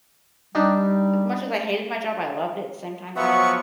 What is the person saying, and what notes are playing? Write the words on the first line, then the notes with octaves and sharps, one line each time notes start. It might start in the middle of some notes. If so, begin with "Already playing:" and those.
as much as I hated my job, I loved it same time, now.
G3 D4 D#4 G4
F3 F#3 B3 E5 F#5 C#6